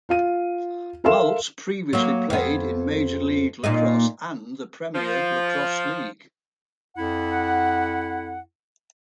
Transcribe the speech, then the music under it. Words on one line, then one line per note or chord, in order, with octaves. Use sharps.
Maltz previously played in Major League Lacrosse and the Premier Lacrosse League.
F4 F5 D#7
A4 A#4 E5 F5 C6 E7
F#3 A#3
F2 B3
A#2 A#3 D#4
F3
F2 E4 F#5